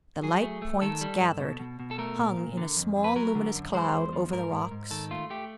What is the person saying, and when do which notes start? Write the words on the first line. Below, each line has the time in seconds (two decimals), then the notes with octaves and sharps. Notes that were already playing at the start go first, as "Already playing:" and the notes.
The light points gathered, hung in a small luminous cloud over the rocks.
0.23 F#3 G#4
0.43 A3
0.62 A3
0.82 D#3 A4
1.01 G3
1.20 G2
1.40 B2
1.60 B2
1.80 B2
1.91 A4
1.98 A3 A#4
2.18 A#2
2.38 A#2
2.57 D3
2.77 F2
2.96 F2
3.04 B4
3.16 F#3 A#4
3.35 D3
3.54 F#2
3.74 G#3 C5
3.93 E2
4.13 F3
4.33 G#2 A#4
4.52 G#2
4.71 G#2
4.91 D#3 A4
5.11 A3 F4
5.30 A3 G4